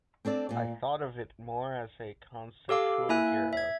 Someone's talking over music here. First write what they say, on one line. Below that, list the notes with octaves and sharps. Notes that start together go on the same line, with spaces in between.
I thought of it more as a conceptual hero.
C4 D4 A4 D5
A#2 D5
G4 A4 F5 D6
A#3 E4 E5 G#5 F#6
E5 G#6